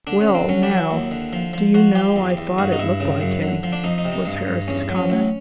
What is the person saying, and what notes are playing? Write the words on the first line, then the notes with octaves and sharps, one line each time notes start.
"Well, now, do you know I thought it looked like him," was Harris' comment.
D3 D4
C#4
D3
C4
F#3 C#4
D4
F#3
E4
D#2
D3
F3
F3
F3 F#4
F3 G4
E2
E2
G2 F#4
D#4
G2 E4
C#3
F#2
D3
F3
D4
F2 D#4
D#4
C3
D#4
G2
G2
E2 C#4
F#3
C#4
A1